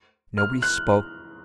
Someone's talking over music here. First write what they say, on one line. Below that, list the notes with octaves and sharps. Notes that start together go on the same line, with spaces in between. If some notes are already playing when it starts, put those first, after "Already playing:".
Nobody spoke.
F6
F#6